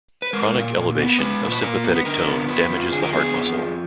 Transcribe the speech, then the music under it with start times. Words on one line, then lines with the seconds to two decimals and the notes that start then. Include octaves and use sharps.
Chronic elevation of sympathetic tone damages the heart muscle.
0.22 B4
0.33 G#3 A#4
0.55 A#2
0.76 A#2
0.98 B3
1.19 G#3 B4
1.41 A#2
1.52 B4
1.62 A#2 A#4
1.84 B3
1.95 B4
2.05 D3 A#4
2.27 B3
2.48 F2 B4
2.70 F3
2.92 D3 G#4
3.03 A#4
3.13 B3 G#4
3.35 F2
3.57 F3